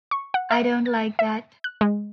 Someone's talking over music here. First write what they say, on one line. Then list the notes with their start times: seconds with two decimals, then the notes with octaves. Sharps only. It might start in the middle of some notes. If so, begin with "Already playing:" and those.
I don't like that.
0.11 C#6
0.34 F#5
0.51 E5
0.86 A6
1.19 E5
1.64 F#6
1.81 G#3